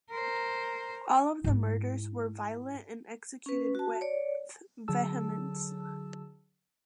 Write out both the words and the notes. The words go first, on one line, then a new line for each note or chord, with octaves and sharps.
All of the murders were violent and executed with vehemence.
A#4 C5
G#2 E4
C#4 B4
F#4 A5
C#5 D5
D3 F#3 G#4 A5 E6